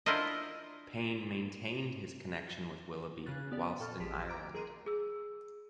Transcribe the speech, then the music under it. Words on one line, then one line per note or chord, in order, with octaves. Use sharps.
Payne maintained his connection with Willoughby whilst in Ireland.
D4 E4 F4 A#4 C5 D#5
C#3 C#4 G#4 F#6 A6
B3 G4 D5
A#2 A4 A5 F6 A6
A1 F3 G4 G#4 B6 E7
A#5 D6 D7
G#4 A#4 A#5 C6 D#7
G#4 E6